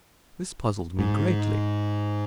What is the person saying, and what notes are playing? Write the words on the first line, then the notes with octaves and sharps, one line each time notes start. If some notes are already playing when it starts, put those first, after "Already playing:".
This puzzled me greatly.
G#2